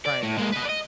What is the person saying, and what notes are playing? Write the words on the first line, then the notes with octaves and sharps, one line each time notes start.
trying to
D5
A2
G#3 A#3
B4 D#5
D5 D#5